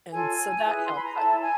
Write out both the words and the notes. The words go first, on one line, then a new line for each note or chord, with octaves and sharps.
And so that helps, I
F4 A4 C#5 G#5
E4 G#4 B4
C6
B5
A#5
E4 A4 C#5 A5
G#5